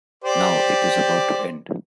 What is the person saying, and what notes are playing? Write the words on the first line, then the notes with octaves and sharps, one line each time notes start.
Now it is about to end.
G4 C5 D5